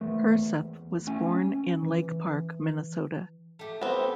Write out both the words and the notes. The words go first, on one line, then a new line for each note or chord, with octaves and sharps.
Herseth was born in Lake Park, Minnesota.
E2 A3 A#4
E2
A3 C#4 G#5
C#4
E3
A3 G4
B3 C4